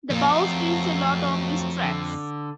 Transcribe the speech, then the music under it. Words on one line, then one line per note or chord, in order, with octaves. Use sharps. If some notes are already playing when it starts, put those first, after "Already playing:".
The bowl spins a lot on these tracks.
F2 A#2
F#3 A3 C4
D3